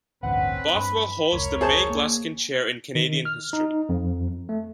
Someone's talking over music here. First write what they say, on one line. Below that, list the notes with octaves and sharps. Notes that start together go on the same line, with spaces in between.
Bothwell holds the May Gluskin Chair in Canadian History.
A1 D2 G2 C4 C#4 B4 F#5
G2 B5
F1 C#2 A#4 C#5
G#4 C5 A5
A#3
D#3
F6
D#4
F2
A3